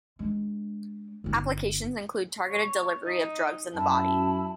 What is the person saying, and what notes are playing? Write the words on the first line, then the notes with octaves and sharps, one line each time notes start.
Applications include targeted delivery of drugs in the body.
G#3 D4
G1 D#4
C#5
D#4
F#2 E4 A5